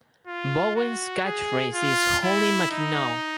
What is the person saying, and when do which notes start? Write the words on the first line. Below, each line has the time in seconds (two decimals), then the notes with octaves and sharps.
Bowen's catchphrase is Holy Mackinaw!
0.27 F4
0.76 F#4
1.24 G#4
1.74 F4
2.23 E4
2.71 D#4